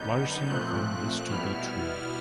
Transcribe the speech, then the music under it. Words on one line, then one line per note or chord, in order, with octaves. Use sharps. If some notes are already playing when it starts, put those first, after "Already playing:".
Larson found this to be true.
Already playing: F#2 D3 G3 B3 D#4 G6
A#2 F3 A3 C4 F#6
B2 G3 B3 E4 F6